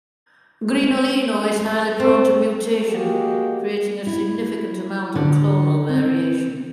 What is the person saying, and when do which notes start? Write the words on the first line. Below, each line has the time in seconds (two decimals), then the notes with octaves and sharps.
Grignolino is highly prone to mutation, creating a significant amount of clonal variation.
2.00 C4
2.90 G#3 A#3 F#4 G4
4.07 E4
5.15 D3
5.89 C4